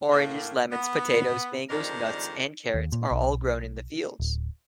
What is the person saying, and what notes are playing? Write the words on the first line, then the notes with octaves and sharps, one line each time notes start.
Oranges, lemons, potatoes, mangos, nuts and carrots are all grown in the fields.
A2 A#3
B3
F2 D#3 G3 G#3 D4 A#4
D#2
A#2
B1
D1